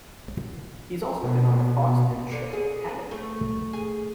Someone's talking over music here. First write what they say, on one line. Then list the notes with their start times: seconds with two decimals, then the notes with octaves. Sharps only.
He has also been on the Fox News show "Hannity".
1.23 B2
2.31 D3
2.53 G#4
2.89 B4
3.11 A3
3.73 G#4